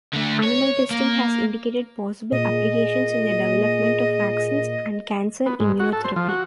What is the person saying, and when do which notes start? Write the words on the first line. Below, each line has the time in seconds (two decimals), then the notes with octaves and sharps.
Animal testing has indicated possible applications in the development of vaccines and cancer immunotherapy.
0.13 D3 A3
0.44 C#5
0.91 A#3
2.32 A#2 G#4 D#5
5.46 B3
5.60 G#2
5.80 F#4
5.93 A4
6.04 C5
6.16 F3
6.29 F#4